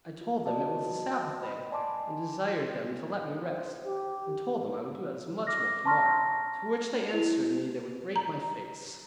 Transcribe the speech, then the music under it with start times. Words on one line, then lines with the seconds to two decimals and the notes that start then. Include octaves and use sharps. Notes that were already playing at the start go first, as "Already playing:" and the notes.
I told them it was the Sabbath day, and desired them to let me rest, and told them I would do as much more tomorrow; to which they answered me they would break my face.
0.21 F4
0.46 F#4 C5 D5 D#5 A5
1.41 D#5 B5
1.71 D5 G#5 A5 C6 D6
3.48 C5
3.86 G4
5.47 D6 F6 A#6
5.85 A5 A#5 C6 C#6 F6 A#6
7.09 E4 F7
8.16 A#5